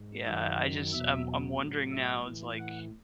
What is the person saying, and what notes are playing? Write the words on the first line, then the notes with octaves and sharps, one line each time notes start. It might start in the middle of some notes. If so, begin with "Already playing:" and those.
Yeah, I just I'm I'm wondering now, it's, like,
Already playing: G#2
F#2 D#3 F#3 E5
E2 B2 F#3 E5
A2 F#3
E5
A2 E3
F#5